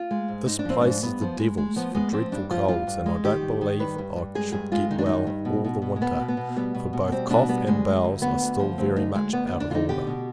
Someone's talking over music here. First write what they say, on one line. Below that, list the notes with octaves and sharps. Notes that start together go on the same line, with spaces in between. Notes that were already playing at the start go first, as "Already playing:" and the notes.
This place is the devil's, for dreadful colds: and I don't believe I should get well all the winter; for both cough, and bowels, are still very much out of order.
Already playing: F4
G#3
G#2
G#2 D#4
D4
F3 C4
G#2 D4
G2 B3
F3
G#3
G#3
F3 B3
G#3 B3
F3 C4
G2 D4
F3 F4
G2 F4
G2
G#3
D#3 G4
G2
D#3
G2 B4
G2
G2
G#3 G#4
G2 G#4
G#3 F4
D#3 D#4
D4
G2 D#4
G2
B2
B2
B2
G#3
B2 B3
B2
B3
B2
G3 B3
B2
B2
B3
G3 C4
B2 D4
G3 B3
D2 G#3
D2
D2
D3 B3
D2
F3
D2 C4
D2 D#4
D2 G#3
D2 B3
B3
D3
D4
D3 D#4 F4
B2 G4
B2